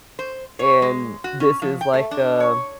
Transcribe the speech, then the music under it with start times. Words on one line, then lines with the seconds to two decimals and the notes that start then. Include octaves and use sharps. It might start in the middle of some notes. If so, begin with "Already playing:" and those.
and this is like a
0.19 C5
0.59 C#5
0.82 G#3
1.24 F#4
1.40 C#4
1.62 F3
1.81 G5
1.94 A3
2.11 D4
2.40 C#5